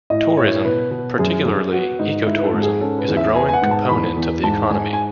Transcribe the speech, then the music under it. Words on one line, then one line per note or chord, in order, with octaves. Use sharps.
Tourism, particularly ecotourism, is a growing component of the economy.
A2 D#5
A2 C#5
B2 B4
B2
F#2 G#4
F#2
B3 F#4
G#2 D#4
G#2 E4
B4
A4
G#2
G#4
C#4 A4
B4
E2
E5
B3 G#5
G#5
F#5
G#2
A5
E2 B5
E2
G#2 A5
G#2 G#5
G#5